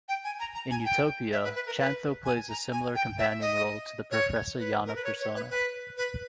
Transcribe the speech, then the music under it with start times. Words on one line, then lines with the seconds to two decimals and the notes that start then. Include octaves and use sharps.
In "Utopia", Chantho plays a similar companion role to the Professor Yana persona.
0.08 G5
0.24 G#5
0.40 A#5
0.55 A#5
0.71 G#5
0.85 G5
1.32 E5
1.44 B4
1.55 B4
1.67 A#4
1.79 B4
2.25 G#5
2.49 A#5
2.72 G#5
2.95 G5
3.18 E5
3.41 D#5
4.11 C#5
4.58 B4
4.86 A#4
4.96 B4
5.04 C#5
5.20 C#5
5.35 B4
5.50 B4
5.97 B4